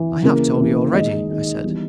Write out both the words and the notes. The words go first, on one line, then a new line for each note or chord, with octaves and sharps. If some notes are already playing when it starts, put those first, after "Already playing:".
"I have told you already," I said.
Already playing: E3
C#3 E3 A#3
C#3 E3 A#3
D#3 G#3 D#4 D#5
D#3 G#3 D#4
E3 G3 B3 D#4